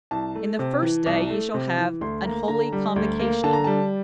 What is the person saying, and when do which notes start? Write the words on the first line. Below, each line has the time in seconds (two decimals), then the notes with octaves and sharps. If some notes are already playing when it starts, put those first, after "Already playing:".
In the first day ye shall have an holy convocation.'
0.11 C2 A5
0.35 A3
0.59 C3
0.82 E3
1.06 C2
1.30 A3
1.54 C3
1.78 E3
2.01 D2 C6
2.25 A#3 A#5
2.48 D3 A#5
2.72 G3
2.96 D2
3.20 A#3
3.44 D3 A5
3.53 A#5
3.64 G3 A5